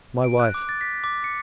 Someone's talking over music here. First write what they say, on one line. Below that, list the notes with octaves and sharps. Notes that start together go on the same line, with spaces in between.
"My wife!"
D7
F#6
D6
A6
B6
D6
C#7